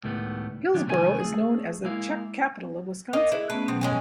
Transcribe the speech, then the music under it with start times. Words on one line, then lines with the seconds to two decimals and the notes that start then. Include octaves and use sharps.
Hillsboro is known as the Czech Capital of Wisconsin.
0.04 C#2 A2 D#3 G3 A3 B3
0.74 D#3 F#3 C#4 D4 F4
0.87 C#2 C3 D#3 A3 F#4 G#5
1.20 A3 G#4
1.84 G#3 A#3 E4 F5
3.13 A#3 D#4 F5
3.32 E4 G#4 D5 F#6
3.50 A3 B3 C#4 B4
3.68 B2 E3 F#3 C4
3.81 G#3 C#4 G#5